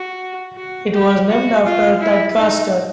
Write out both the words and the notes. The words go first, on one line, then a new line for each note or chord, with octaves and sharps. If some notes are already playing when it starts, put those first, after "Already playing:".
It was named after Tadcaster.
Already playing: F#4
F#4
G4
F#4
F4
E4
D#4